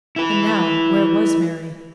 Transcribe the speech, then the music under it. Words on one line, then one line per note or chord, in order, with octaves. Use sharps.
And now, where was Mary?
E4 B4